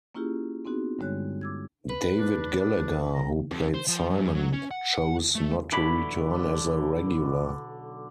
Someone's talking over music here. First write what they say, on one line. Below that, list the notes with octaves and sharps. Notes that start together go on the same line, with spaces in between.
David Gallagher, who played Simon, chose not to return as a regular.
A#3 C#4 E4 F4 G4 G#4
B3 C4 D#4 F#4 G#4
G2 D3 G3 G#3 C#5 F#6
D6 E6 G#6
B4
D4
D4
A#5
F2
C5
F3
F#2
F#3
C#4
F#5
A3
B1 D3 E4 B4 C#5 B5